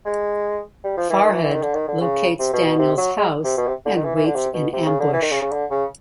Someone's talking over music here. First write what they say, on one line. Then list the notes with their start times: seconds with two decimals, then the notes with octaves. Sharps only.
Farhad locates Daniel's house and waits in ambush.
0.06 G#3
0.84 G3
0.97 F3
1.10 E3
1.23 D#3
1.33 E3
1.43 E3
1.52 D#3
1.62 D3
1.75 D#3
1.88 D3
2.01 C#3
2.39 C3
2.53 B2
2.66 B2
2.79 C3
2.98 F#3
3.17 G#3
3.44 C3
3.57 B2
3.67 C3
3.86 D3
3.96 D#3
4.05 E3
4.15 E3
4.26 D3
4.35 C3
4.54 B2
4.73 C3
4.86 C#3
5.00 D3
5.13 E3
5.22 D#3
5.32 C#3
5.42 C#3
5.52 D3
5.71 C#3